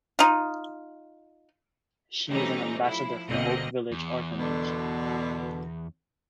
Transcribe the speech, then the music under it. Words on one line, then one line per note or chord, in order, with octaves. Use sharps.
She is an ambassador for Hope Village Orphanage.
D#4 F4
E3 G3 A3 C4 C#4 D#4
F3 E4
G1 B2 D3 A#3 C4 D#5
E2
B2 D3